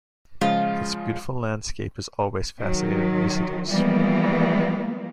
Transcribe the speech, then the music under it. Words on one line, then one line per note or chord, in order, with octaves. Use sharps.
Its beautiful landscape has always fascinated visitors.
C#3 F3 G#3 F4
D#3 F#3
E3 F3 G3 G#3 A#3 B3